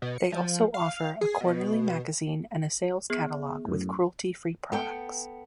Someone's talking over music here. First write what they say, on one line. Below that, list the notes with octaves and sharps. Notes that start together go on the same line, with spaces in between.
They also offer a quarterly magazine and a sales catalogue with cruelty-free products.
B2
C#7
F3
F5
G#4
B2
B3 G#4
F#2 A2
B3 A4 G5